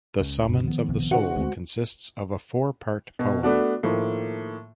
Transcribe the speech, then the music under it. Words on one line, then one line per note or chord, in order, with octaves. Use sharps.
The "Summons of the Soul" consists of a four-part poem.
C#2 C#3
G2 C3
D#3 F3 B3
A#1 C3
C#3 D4 F#4 C5 F#5
D2 G#3 C4
B2
A3 B3 D4 F#4
A2 D#3 F3 A#3